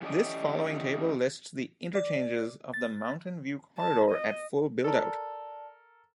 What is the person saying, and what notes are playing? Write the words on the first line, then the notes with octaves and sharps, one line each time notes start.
This following table lists the interchanges of the Mountain View Corridor at full build-out.
E3 C#4 G4 A4 D5 D#5
D5
A6
A5
D#5
A4 A#4 D5 A5